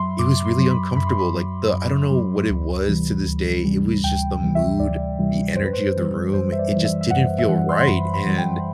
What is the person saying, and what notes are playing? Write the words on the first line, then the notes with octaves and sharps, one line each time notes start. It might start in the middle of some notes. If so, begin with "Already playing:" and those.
it was really uncomfortable. Like, the I don't know what it was to this day. It was just the mood, the energy of the room. It just didn't feel right. And,
Already playing: F#2 F#3 E5 B5 C6
F#2 D6
C6
F#3
B5
F#2 B5
C6
B5
F#3
F#2
F#3
D2
C3 E3 G3
D2
C3 E3 G3
D2 G5
C3 E3 G3
E5
D2 D5
C3 E3 G3
F#2 C5
B4
C5
E3 G3
F#2 C5
E5
D5
E3 G3
E5
E5
F#2 F#5
E5
E3 G3 F#5
C6
C6
F#2 B5
B5
E3 G3
G5